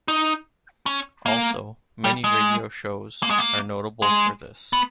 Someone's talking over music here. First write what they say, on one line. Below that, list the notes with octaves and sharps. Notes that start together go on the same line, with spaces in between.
Also, many radio shows, are notable for this.
D#4
C#4
A#3
G3
G#3
A#3
G#3
A#3
G#3
B3